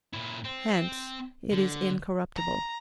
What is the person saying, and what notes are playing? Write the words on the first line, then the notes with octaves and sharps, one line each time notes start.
Hence it is incorruptible.
A#2 E4
C4
D3
A#5